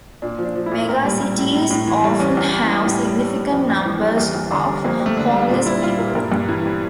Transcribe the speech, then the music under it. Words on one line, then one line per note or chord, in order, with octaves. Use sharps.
Megacities often have significant numbers of homeless people.
A#2 D4
F3
D4
F3
E4
A#2
A2 A#4
G3
G3
A2
A2
A2
E3
G3
E2 C#4
E2
E3
G3
A2
G3
G3
A2
F2 D4
F2
E3
G3
E2
E2
D3
G3
F2 A#3
F2
A3
D3
D4
G3
A#2 D4
G3 E4
G3 F4
A#2 A#4
G2 A#4
G2
E3
G3